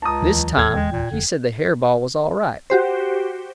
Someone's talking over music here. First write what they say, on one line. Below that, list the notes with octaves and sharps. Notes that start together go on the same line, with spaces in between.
This time he said the hair-ball was all right.
C#2 A5 A#5 D#6
D#2 E3 F#3
D#1 E2 E3 A4 G#6
G#3 G5
A#2
F1 D3
F#4 G4 C5